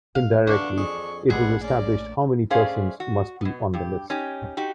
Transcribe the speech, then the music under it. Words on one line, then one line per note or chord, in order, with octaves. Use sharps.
Indirectly it was established how many persons must be on the list.
A#2 F5
E2 D3 E3 D4 F5 C#6
F2 G#4 C#6
A#1 B2 G3 A3 C4 G#4 F#5
C#4 D5 A#5
A3 C#4 G#4 C5 D5 F5
F#4
B2 B3
G2 G4
C#4 D#4 G4
D#4 F#4 G4